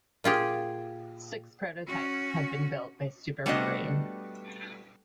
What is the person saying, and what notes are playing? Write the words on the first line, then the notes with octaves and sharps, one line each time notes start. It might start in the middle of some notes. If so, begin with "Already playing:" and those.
Six prototypes had been built by Supermarine.
A#2 F4 G4 G#4
C#4 F#4
G3 A3 B3 D4 F#4 D#5